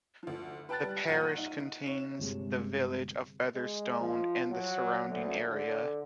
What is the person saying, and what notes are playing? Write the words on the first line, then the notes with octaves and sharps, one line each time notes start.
The parish contains the village of Featherstone and the surrounding area.
D2 F3
B4 G5 A5 F#6 A6
G3
A#1 F#5 A#5 D#7
D#4
C#5 E7
G1 C3 G#3
G#3
F3
F#3
D2
D3